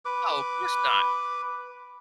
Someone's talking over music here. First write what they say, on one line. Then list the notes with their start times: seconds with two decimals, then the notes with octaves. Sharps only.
Oh, course not.
0.05 B4 D6